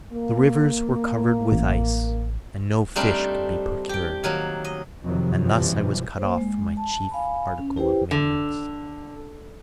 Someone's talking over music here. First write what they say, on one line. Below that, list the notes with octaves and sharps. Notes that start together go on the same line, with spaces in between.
The rivers were covered with ice, and no fish could be procured; and thus I was cut off from my chief article of maintenance.
A#3
A1
G3 A3 C4 D4 D#4 A#4
G4 G5
D#3 F#3 A#3
D#5
F2 C3 D#3 F3 F#3
F#2 B2 E3 F3 G3
A#3 C5
G#3
A5
F5 G#5 B5
C#4
E4 G4 B4 C5 G5
D3